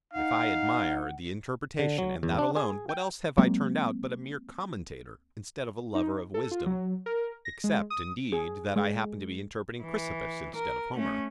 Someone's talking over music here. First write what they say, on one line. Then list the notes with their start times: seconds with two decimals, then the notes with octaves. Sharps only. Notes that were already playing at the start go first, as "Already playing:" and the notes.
But if I admire the interpretation and that alone, what else have I turned out but a mere commentator instead of a lover of wisdom?--except indeed that I happen to be interpreting Chrysippus instead of Homer.
0.14 D#4 F5 F#5
1.79 D3
1.98 F#3
2.23 E2
2.39 D4
2.56 G#4
2.89 G5
3.38 F#3 G#3 A#3 C4
5.95 D#4
6.34 A4
6.51 F4
6.66 F#3
7.06 A#4
7.45 A#6
7.64 G#3
7.90 D#6
8.32 G#4
8.76 G#3
9.83 E3
10.56 A#4
10.95 A3 C#4